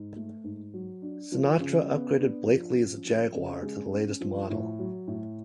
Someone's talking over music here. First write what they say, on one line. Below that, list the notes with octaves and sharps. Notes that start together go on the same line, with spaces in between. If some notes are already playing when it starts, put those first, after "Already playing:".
Sinatra upgraded Blakeley's Jaguar to the latest model.
Already playing: G#2
A3
G#2
F#3
D4
F3
C#3
B3
D4
F3
C#4
F3
C#3
G#3
C#4
F3
A2
F#3
A2